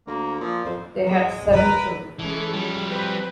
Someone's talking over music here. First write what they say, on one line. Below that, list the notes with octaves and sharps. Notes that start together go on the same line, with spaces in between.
They had seven children.
D2 A#3
A#2 F3
F2 C5
G#3
A#4 B4
E3 G#3 C#4 A4
F3 G3
C4 B4